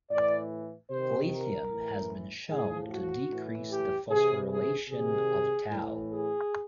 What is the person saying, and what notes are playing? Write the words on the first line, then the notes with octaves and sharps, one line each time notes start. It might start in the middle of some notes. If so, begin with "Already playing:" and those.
Lithium has been shown to decrease the phosphorylation of tau.
A2 E3 D5
C3 D#3 C5
A#4
A2 E3
A2 F3 G#4
F#4
A2 E3
G4
C3 E3 G#4
G#4
C3 D#3 G#4
A2 E3
G#4